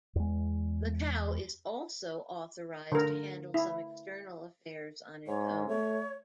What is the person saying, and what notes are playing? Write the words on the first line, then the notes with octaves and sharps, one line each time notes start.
Macau is also authorised to handle some external affairs on its own.
E2 G#3
D3 A#4
E4
G#2 C#5
A3 C#5